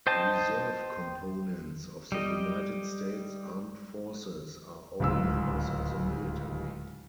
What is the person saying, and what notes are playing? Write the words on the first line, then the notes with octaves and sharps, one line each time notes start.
Reserve components of the United States Armed Forces are all members of the military.
C5 D#5 G5 A5
G3 D#5
D1 C#2 E6